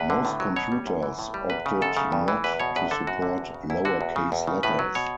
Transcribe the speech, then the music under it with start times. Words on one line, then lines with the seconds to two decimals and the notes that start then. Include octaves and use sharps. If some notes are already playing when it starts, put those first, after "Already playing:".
Most computers opted not to support lower-case letters.
Already playing: E2 B4
0.10 D3
0.25 A2
0.40 F#3
0.56 B2 C#5
0.72 G3
0.87 F#2
1.03 E3
1.19 A2
1.34 G3
1.50 E2 B4
1.66 C#3
1.82 F#2 A4
1.97 C#3
2.12 G2
2.28 E3
2.44 E2 B4
2.60 B2 C#5
2.76 E2 B4
2.91 D3 A4
3.07 F#2 F#4
3.22 D3
3.38 E2
3.54 C#3
3.70 E2 E4
3.85 D3 F#4
4.01 E2
4.16 C#3
4.32 E2
4.47 C#3
4.63 A2 B4
4.79 F#3
4.95 B2 C#5